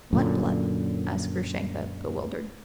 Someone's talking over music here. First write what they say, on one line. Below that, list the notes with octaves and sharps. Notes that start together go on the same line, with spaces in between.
"What blood?" asked Grushenka, bewildered.
F#2 A#2 D3